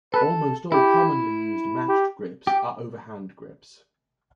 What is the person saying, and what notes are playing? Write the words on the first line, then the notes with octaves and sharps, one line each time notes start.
Almost all commonly used matched grips are overhand grips.
A4 B4
E4 G4
G4
G4